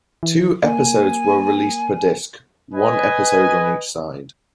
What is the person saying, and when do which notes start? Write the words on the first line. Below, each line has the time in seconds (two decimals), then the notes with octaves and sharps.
Two episodes were released per disc, one episode on each side.
0.23 E3
0.64 A#3 G#5
2.74 B4 D#5 G#5